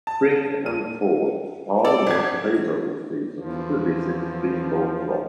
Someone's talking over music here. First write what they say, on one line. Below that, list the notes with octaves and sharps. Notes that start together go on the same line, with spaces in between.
Spring and fall are the most favorable seasons to visit Steamboat Rock.
A5
D#7
A4 D5
G#1 G#6
E2 F3